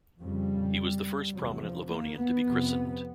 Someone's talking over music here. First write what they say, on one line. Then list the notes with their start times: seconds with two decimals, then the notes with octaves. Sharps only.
He was the first prominent Livonian to be christened.
0.21 F2 C#3 G3
1.34 E2 C3 F#3
1.62 F3
1.90 A#3
2.18 B3
2.46 F2 C3